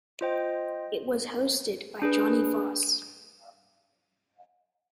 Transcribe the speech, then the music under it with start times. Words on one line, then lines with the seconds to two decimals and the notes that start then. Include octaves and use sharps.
It was hosted by Jonny Voss.
0.21 F4 C5 D#5 G5
2.02 D4 G#4 B4